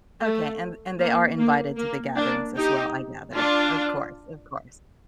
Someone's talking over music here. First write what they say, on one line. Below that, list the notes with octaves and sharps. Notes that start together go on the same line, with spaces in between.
Okay, and and they are invited to the gatherings as well, I gather. Of course, of course.
A3
A#3
A#3
A#3
A#3 D4
D#4 G4
D4 F4